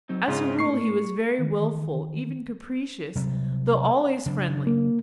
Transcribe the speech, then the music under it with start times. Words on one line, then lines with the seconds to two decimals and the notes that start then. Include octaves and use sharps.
As a rule he was very willful, even capricious, though always friendly.
0.09 F#3 C4 D#4
0.28 G#2 C#3 E4 F4 C5
0.59 A2 A#3 C#6 C7
1.39 D#3 E3
3.15 C3 F#3 G3
4.26 C#3 F#3 D4
4.67 A#3